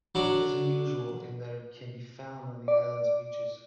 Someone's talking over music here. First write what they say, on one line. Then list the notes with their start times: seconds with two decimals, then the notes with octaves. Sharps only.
It is unusual in that it can be found on the islands' beaches.
0.15 F#3 D4
2.68 D5